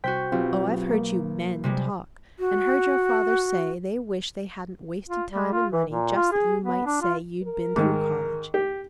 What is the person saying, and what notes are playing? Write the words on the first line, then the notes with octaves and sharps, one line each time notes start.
Oh, I've heard you "men" talk, and heard your fathers say they wish they hadn't wasted time and money just that you might say you'd been through college.
C2 F#4 C5 G5 G6 B6
B1 C4 F4 G4
A#3
C3 G3 G#3
F#4
F4
G3
F4
E3
A#2
F4
G#4
B3
D4
F4
A#4
G#2 D#3
G4